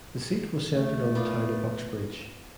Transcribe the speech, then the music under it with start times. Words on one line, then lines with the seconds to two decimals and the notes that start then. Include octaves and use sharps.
The seat was centred on the town of Uxbridge.
0.70 A3
1.15 B3 F4 D5